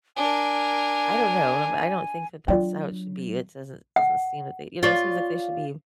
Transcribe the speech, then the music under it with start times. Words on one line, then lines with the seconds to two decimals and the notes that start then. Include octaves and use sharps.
I don't know, I'm I don't think that that's how it should be. It doesn't doesn't seem that they you know, seems like they should be
0.17 D4 A#4 G#5
2.48 F#3 D4 F4 D5 G5
3.96 F#5
4.83 F4 C#5 D5